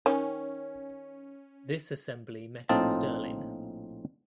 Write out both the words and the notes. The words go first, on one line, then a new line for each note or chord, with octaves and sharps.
This Assembly met in Stirling.
D#3 C#4 C#5
A#1 A2 C4 D#4 F4 A5